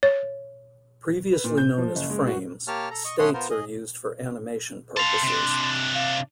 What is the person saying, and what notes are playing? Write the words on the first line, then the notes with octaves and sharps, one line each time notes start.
Previously known as "frames", "states" are used for animation purposes.
C#5
B4
A#2
G6
F3
F#1
G#3
F#4
A#3 G4 C#5 A5 F6
A4 A#5
D#5 C#6
A3 C#4 C#5 F#5 C6 D#6
B3 F4 A#4 C5
G#4 D#5
A4 F5 C6
C3 D4
F5